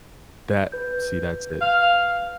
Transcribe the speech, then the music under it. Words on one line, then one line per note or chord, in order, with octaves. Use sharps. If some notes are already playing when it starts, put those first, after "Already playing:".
That see, that's it.
B4 G6
F5